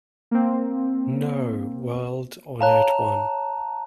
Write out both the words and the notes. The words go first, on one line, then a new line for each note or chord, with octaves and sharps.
No, World-Honored One.
A#3 C4
C#5 F5 A5 A#5 F#6